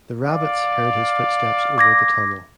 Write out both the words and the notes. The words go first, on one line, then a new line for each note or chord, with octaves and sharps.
The rabbits heard his footsteps over the tunnel.
D5 F5
D6 G#6 A#6